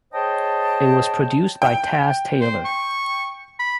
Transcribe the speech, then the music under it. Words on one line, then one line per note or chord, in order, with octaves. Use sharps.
It was produced by Taz Taylor.
G#4 C5 C#5 D#5 G5 A5
G5
C5
C#6
B5